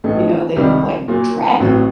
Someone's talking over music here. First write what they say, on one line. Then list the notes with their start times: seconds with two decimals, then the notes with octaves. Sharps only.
you know, they look like dragon.
0.04 A1 A2 A3 D#4
0.56 C2 C3 D#3 G3
1.08 A#2 F#3 A#3
1.60 A1 A2 F#3 C4